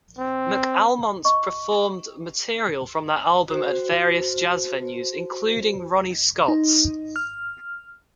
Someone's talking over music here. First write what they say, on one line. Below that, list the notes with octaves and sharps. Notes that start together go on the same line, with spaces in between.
McAlmont performed material from that album at various jazz venues including Ronnie Scott's.
C4
D#5 C#6
F#4 C5
D#4
F6